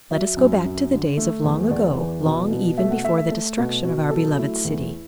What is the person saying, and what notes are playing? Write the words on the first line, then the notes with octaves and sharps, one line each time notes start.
Let us go back to the days of long ago, long, even, before the destruction of our beloved city.
F#3 E5
F#2
F#2
D3
A3
E2
E2 D5
E3
B2
B2
A3 E5
F#5
A3 E5
E5
A3 A4
B2 F#4
B2 F#4
F#3 A4
A3 E4
E2